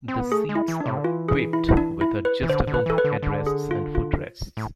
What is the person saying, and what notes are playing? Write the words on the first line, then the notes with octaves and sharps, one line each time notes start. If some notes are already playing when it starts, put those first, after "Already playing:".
The seats are equipped with adjustable headrests and footrests.
C4
B3
A3 G#4
G#3
E4
E3
D4
C3
D3
E3 F4
G#4
E4
E4
D4
E4
B4
E3
D3 C5
D3
B4
E3 A4
B4
D3
D3
G#4
F4
F4
A2